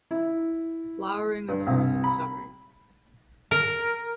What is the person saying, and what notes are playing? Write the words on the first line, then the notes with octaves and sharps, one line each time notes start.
Flowering occurs in summer.
E4
G2
C2
B5
A#4